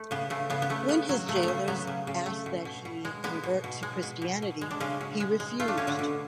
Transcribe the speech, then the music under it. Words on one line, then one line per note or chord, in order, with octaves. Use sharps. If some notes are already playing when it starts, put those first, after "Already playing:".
When his jailers asked that he convert to Christianity, he refused.
Already playing: A3
C#3 B3
C#3 A3
C#3 B3
B3
C#3 A3
C#3 B3
F#3
C#3 A3
B3
A3
C#3
F#3 B3
C#3
C#3
A3
B2
B2
B2
G#3
G#3 B3
B2
B2
G#3
B2
B2
B2
G#3
D4
C#3 G#3 C#4
B2
G#3
G#3
A3 F4
D4
B2 C#4
D3 D4
B2